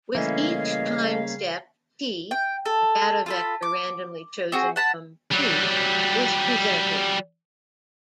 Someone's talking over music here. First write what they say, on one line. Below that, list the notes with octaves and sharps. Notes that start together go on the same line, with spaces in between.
With each time step "t" a data vector randomly chosen from "P" is presented.
C#3 E3 G3 A3 A#3 C#4 D#5 F5
G5
A4
F4 A4 B5
D6
C4 F#4 G#4
F#5 A5 B5
F#3 G3